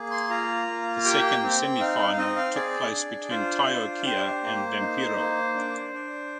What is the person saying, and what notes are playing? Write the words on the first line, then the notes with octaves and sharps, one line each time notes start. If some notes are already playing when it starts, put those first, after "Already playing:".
The second semifinal took place between Taiyo Kea and Vampiro.
Already playing: A#3 G#4
C6
F4 A#5
A#3
G4 G5
C4
D#4 F5
F5
F5
C4 D#5
F5
G#4 D5
D4
F4 C5
D4
G4 C5
A#3
D#4
A#3
D4
D4